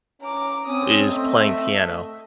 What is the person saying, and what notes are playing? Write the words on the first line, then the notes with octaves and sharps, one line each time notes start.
is playing piano.
C#4 A#5 D6
C4 C#4 D#6
A3 D#5 E5
A3